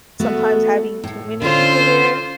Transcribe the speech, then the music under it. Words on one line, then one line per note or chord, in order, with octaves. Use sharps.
sometimes having too many people there,
A3 B3 F#4
A2
D3 C#4 F4 C5